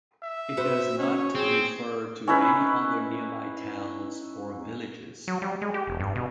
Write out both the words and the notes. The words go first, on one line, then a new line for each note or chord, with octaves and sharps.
It does not refer to any other nearby towns or villages.
E5
F#4 B4 C5
C#4 C#5
C4 G#4
C#4 D#4 E4 B4
F#3
G3
G#3
G4
E1
G2
B2